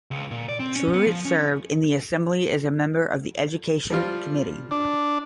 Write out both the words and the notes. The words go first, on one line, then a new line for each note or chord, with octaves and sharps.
Truitt served in the Assembly as a member of the Education Committee.
C#2
A#2
D5
C4
C#4
B3
F3
C#4
F3 G3 F4
D4